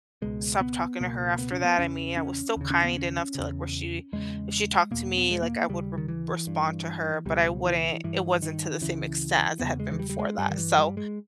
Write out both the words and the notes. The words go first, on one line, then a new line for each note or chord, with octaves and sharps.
stopped talking to her after that, I mean, I was still kind enough to like where she if she talked to me, like I would r respond to her, but I wouldn't it wasn't to the same extent as it had been before that, so
C#2 B2 G#3
B3
C#2 B2 A#3
B3
C#4
B3
E2 C#3 C#4
C#4
D#2 C#3
C#4
B3
C#4
E2 C#3
E2 C#3 G#3
E2 B2 A#3
B3
G#3
A#3
D#2 C#3 G3
D#3
E3
G2
C#2 B2 G3
E3
G2 E3
D#3
C#2 C#3 E3
E2 C#3 B3
G#3
E3
G3
G3
G#3
G2 G3
D#3
E3
G3
G#3